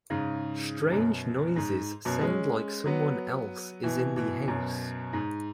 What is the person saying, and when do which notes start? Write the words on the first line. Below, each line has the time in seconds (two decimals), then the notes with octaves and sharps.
Strange noises sound like someone else is in the house.
0.10 G#2 C#3
0.92 F#2 B2
1.56 G#2
2.05 F#2 B2
2.21 G#3 C#4
2.86 F#3 B3
3.83 B2 E3
4.16 B2 E3
4.48 F#2 B2
5.13 G#2